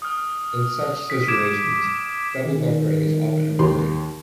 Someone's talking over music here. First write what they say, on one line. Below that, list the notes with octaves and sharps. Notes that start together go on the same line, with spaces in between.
In such situations, double buffering is often employed.
D#6 F6
B6
D6 G#6 D7 E7
D#3
D#2 G4 C6